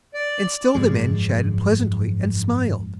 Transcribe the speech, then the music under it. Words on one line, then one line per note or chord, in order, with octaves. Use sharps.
And still the men chatted pleasantly, and smiled.
D5
F#1 G#2 F3 G#3